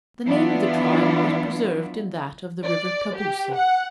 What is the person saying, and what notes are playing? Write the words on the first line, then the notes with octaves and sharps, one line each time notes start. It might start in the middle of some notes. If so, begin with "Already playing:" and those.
The name of the tribe is preserved in that of the river Caboosa.
E3 F#3 B3 D4 E4 F4
D5
G4
F#5